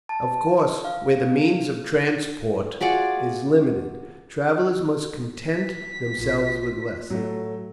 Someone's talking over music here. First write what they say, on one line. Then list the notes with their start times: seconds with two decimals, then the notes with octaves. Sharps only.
Of course where the means of transport is limited, travellers must content themselves with less.
0.09 A5
0.85 F5
2.81 F4 F#4 G#4 D5
5.51 B6
6.18 A#1 F4
7.10 A2 F#3 A3